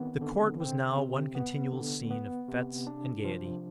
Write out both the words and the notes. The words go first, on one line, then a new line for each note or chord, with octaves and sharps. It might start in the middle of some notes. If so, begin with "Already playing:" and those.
The court was now one continual scene of fetes and gayety.
Already playing: D#3 B3 C4
D3
C4
C3
B3
D3
B3
C3
D4
F3